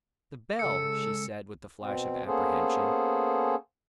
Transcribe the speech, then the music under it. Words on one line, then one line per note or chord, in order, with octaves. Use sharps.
"The bell!" she said, with a flash of apprehension.
C#3 G#3 A4 E6 C#7
B2 C4
A#3 B3 C#4 G#4 A4 C5